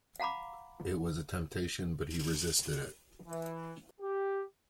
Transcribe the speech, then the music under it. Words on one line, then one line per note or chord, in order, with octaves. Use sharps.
It was a temptation, but he resisted it.
F5 F#5 A#5 B5 D6
E3
G4